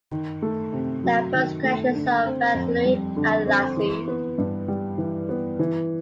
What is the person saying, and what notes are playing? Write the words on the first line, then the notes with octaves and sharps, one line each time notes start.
There are bus connections to Vaslui and Iași.
D#3
A3
C3
F#3
D#3
A3
D3
C4
F2
G3
D3
C4
E3
B3
G2
G3
E3
B3
E3